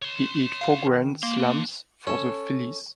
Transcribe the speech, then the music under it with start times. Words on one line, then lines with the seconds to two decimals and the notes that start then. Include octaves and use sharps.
He hit four grand slams for the Phillies.
0.02 C#5 C6
0.61 F5
0.87 D#3
1.23 G#2 A#3 C6
1.37 D4 C6
2.07 C#4 A4 C#5 A5